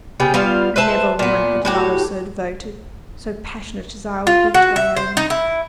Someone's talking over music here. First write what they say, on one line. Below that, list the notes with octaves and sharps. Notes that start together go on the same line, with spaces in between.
Never woman had lover so devoted--so passionate as I will be to Ione.
C#3 B3 G4 G5
G3 B3 F4 F5
B4 C5 E5 A5
A#2 B3
A2 F#4 G4
F4
F#4
E5
C5
D#4
E4